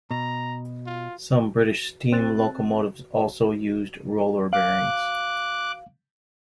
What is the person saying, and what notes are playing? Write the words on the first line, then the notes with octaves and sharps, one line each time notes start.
Some British steam locomotives also used roller bearings.
B2 A#5
F4
C4 F#6 A6
F5 D6 F#6